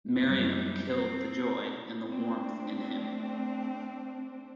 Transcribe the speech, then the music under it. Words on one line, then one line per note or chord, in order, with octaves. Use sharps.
Miriam killed the joy and the warmth in him.
F#2 G3
C4
A3 C4 D4